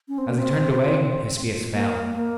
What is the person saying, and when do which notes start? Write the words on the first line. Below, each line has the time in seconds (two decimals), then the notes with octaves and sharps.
As he turned away his face fell.
0.08 C#4
0.18 C4
0.28 A#3
0.38 C4
1.72 A#3
2.13 A#3